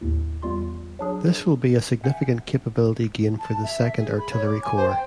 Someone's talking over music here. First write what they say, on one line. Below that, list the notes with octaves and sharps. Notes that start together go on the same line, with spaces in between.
This will be a significant capability gain for the Second Artillery Corps.
D#2 A2
E2 G3 F4 C6
F#3 D4 G#4
E5 F#5 G#5 G6
A5
E5
G#4
B5
C#5
D6
G#5
C5
G5